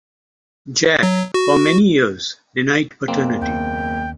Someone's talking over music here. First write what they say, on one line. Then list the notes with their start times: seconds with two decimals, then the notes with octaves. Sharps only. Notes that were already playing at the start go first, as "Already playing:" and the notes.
Jack for many years denied paternity.
1.03 F#3
1.34 F#4
3.08 F#1 A#3 C4
3.41 D#2 B3 G5